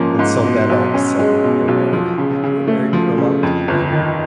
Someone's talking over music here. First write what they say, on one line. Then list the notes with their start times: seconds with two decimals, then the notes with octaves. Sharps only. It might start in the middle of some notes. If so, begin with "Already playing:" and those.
And so, then all the sudden you're married, but you were married for a long time.
Already playing: G#2 F3 A#3 C#4
0.19 G#2
0.44 B2
0.70 B1
0.94 C#4
1.19 G#3
1.44 B2
1.68 B1
1.93 F3
2.18 C#3
2.44 C#3
2.67 A3
2.93 F3
3.18 C#3
3.43 F2
3.68 G1
3.92 D#3